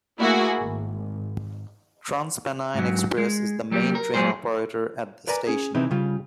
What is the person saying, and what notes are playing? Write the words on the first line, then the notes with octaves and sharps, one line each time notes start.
TransPennine Express is the main train operator at the station.
A3 A#3 E4 F#4 G#4
G#1
G#2 F#3
G#3
F#3 G3 A#3
A#4
F#3 G#3 G#4 C5
A#4 B4 D5 G#5 A#5
C#4 G#4
C3 E3 C4 D#4 E4 B4
C#3 G3 F4